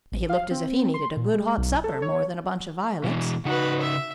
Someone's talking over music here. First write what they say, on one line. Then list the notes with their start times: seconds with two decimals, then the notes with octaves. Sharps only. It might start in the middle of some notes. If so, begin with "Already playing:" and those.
He looked as if he needed a good hot supper more than a bunch of violets.
0.12 A1
0.29 F5
0.51 C4
0.94 C6
1.17 A#2
1.34 G#3
1.58 B1
1.84 A4
2.02 C#5
3.04 B2 E3
3.45 C#3 D#4 F#4 B4
3.81 E5